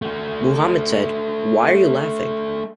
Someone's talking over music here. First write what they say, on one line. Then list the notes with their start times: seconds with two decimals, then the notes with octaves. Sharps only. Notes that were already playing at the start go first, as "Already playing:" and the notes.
Muhammad said: Why are you laughing?
0.02 A3 F#4